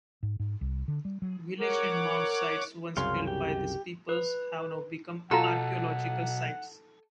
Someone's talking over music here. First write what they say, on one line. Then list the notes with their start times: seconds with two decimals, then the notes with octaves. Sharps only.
Village and mound sites once built by these peoples have now become archaeological sites.
0.23 G#2
0.40 G#2
0.61 C2
0.88 D3
1.05 G3
1.22 F#3
1.60 A#4 C#5 F#5 D6
2.97 C2 F#2 C#3 F5 C6
3.27 G4
4.09 B4
5.31 B1 B2 F4 F#4 A4 F#5 A#5